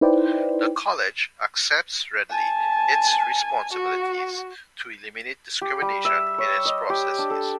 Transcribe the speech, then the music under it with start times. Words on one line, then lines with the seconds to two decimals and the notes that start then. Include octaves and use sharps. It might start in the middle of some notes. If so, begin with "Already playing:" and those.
The College accepts readily its responsibility to eliminate discrimination in its processes.
0.01 D#4 E4 B4 C5 D5 G5
2.30 G#5 A5
3.73 F#4
5.61 G4
5.82 G3
6.05 E5
6.38 C#5
6.65 D#5
6.90 G4
7.19 D4
7.30 A4